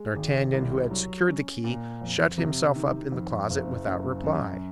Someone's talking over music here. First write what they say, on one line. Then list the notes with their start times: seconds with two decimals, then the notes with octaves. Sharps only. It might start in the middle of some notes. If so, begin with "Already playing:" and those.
D'Artagnan, who had secured the key, shut himself up in the closet without reply.
Already playing: G#3
0.16 G#1
0.53 C2
0.91 F#3
1.27 C#4
1.64 A#2
2.02 F2
2.38 C3
2.76 D#3
3.12 F2
3.50 F#1
3.87 F#2
4.24 F#2